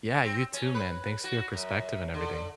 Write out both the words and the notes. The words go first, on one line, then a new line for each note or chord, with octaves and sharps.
Yeah, you too man. Thanks for your perspective and everything.
C4
C#4
B4
F#4
F#2
D3